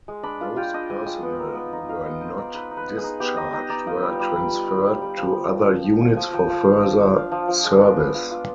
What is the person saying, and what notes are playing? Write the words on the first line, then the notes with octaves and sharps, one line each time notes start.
Those personnel who were not discharged were transferred to other units for further service.
G#3
D4 B5
F4
F4 G5
D4 D#5
G#3 G#5
G#3 G5
B3
D#4
B3
D#4
D#4 F5
B3 D#5
B3 C5
D#4 D5
D#4 B4
D#4
B4
B3
G#4
D#4
B3 G4
D#4 D#5
D#4 D#5
D#4 D5
F4 D#5
G3
G3
G3
F4
G3
G3
G3
F3
F3
C4
F3
F3 G5
F3 G#5
F3 G#5
F3 G5
F3 F5
F3
F3
D4
D4 F5
F3
F3
G#3
D4
B3
F4
F4